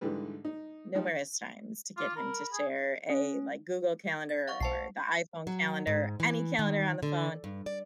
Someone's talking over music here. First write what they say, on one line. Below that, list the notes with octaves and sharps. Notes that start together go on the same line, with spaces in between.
numerous times to get him to share a, like, Google Calendar or the iPhone calendar, any calendar on the phone,
G#2 D3 E3 G3 B4
D#4
F3 G3 D#4
F4 D6
A#4 B5
G#4
C#4
A6
F5 F#5 C#6
B1 C5 A5 C7
F#3
G#2
E3
D#3
D3
G2
D5